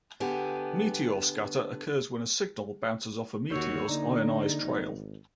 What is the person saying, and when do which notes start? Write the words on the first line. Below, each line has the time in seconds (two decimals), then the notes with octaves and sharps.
Meteor scatter occurs when a signal bounces off a meteor's ionized trail.
0.20 D3 B3 G4 G#5
3.50 D#2 F#4 C#5 E6 G6 C7
3.88 D3 A#3 D#4 D5 A#5
4.63 G#1